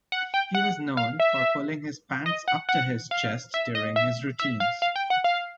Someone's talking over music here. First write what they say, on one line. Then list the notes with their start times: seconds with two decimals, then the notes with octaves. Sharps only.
He was known for pulling his pants up to his chest during his routines.
0.12 F#5
0.34 G5
0.55 F#5
0.97 F5
1.20 E5
2.26 D#5
2.48 F#5
2.69 F#5
3.11 F5
3.54 E5
3.75 D#5
3.96 E5
4.40 E5
4.60 F5
4.82 F5
4.96 G5
5.10 F#5
5.24 F5